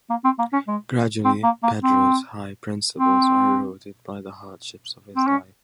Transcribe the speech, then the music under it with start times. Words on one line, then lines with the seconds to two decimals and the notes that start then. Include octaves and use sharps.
Gradually, Pedro's high principles are eroded by the hardships of his life.
0.10 A#3
0.24 C4
0.39 A#3
0.53 C#4
0.68 G#3
1.25 C4
1.44 A#3
1.63 A#3
1.83 C4
2.98 C4
5.16 C4
5.27 C#4